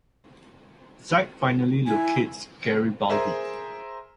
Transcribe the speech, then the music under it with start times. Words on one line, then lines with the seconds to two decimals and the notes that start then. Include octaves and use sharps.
Zack finally locates Garibaldi.
1.87 E4 G#5
3.09 G#4 A#4 C5 E5 G#5